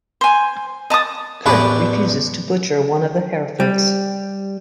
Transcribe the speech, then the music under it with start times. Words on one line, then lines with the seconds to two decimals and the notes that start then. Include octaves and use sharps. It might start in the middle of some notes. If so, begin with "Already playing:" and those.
Kirk refuses to butcher one of the Herefords.
0.21 C5 G#5
0.90 D#5 A5 A#5 D#6
1.46 A1 E2 D4 B4 C#5 D5
3.60 G3